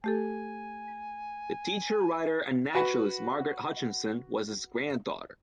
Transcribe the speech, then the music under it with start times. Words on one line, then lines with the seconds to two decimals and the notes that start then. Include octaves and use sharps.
The teacher, writer and naturalist Margaret Hutchinson was his granddaughter.
0.04 A3 G4 A4 G#5
2.75 F#4 B4 F#5